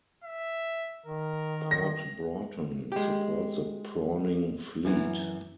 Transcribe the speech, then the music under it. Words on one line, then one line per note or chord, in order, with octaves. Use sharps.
Port Broughton supports a prawning fleet.
E5
D#3 A#4
A#6
G#3 G4
F#2 E3